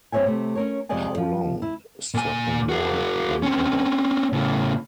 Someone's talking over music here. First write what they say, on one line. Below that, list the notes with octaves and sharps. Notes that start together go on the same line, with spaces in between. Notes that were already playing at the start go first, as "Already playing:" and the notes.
'How Long' struck me more than ever.
G2 C4 A#4 C#5 E5 G#5
C3 A3
C#4 A#4 C#5
F2 C3 G#3 D5 D#5 G#5
F3
E4
A#2 G#5
F#4 G#4
C4 C#4
A2 C#3